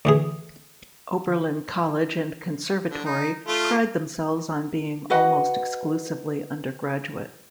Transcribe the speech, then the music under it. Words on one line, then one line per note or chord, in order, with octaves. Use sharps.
Oberlin College and Conservatory pride themselves on being almost exclusively undergraduate.
D2 E3 G#4
D3
D#4
A3 F4
F#4 B4 D#5 F#5